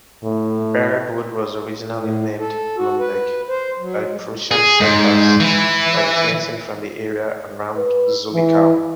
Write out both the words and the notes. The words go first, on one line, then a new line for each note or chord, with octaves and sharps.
Birdwood was originally named Blumberg, by Prussian settlers originating from the area around Zullichau.
A2
A2
A4
F#4
B4
C5
F#3
G#3
G#4
G#2
E3
B4
E3